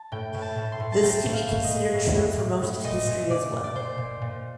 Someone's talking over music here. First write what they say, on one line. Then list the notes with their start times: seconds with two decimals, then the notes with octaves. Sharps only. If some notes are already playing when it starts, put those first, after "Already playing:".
This can be considered true for most of history as well.
Already playing: A5
0.12 A2 G5
0.34 A2
0.42 A5
0.57 A2
0.72 C6
0.80 A2
0.92 A5
1.03 A2 G5
1.26 A2
1.33 F5
1.48 A2
1.64 D#5
1.70 A2
1.94 A2
2.16 A2
2.39 A2
2.62 A2
2.84 A#2 D#5
3.07 A#2
3.30 A#2 D5
3.53 A#2
3.64 D5
3.75 A#2 C5
3.98 A#2
4.22 A#2